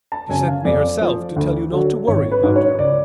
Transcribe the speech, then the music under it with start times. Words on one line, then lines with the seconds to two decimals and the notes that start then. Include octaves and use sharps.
She sent me herself, to tell you not to worry about her.
0.12 A5
0.29 F#2 C#3 G#5
0.47 F5
0.65 F2 D5
1.02 F3
1.36 D2
1.72 D3 F#3
2.07 G#1 C#5
2.31 B4
2.43 G#2 F#3
2.56 C#5
2.79 C#2 D5